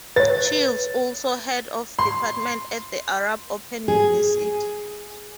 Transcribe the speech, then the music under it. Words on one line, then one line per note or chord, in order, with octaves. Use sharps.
She is also head of department at the Arab Open University.
B4 C#5 A6
C6
G#4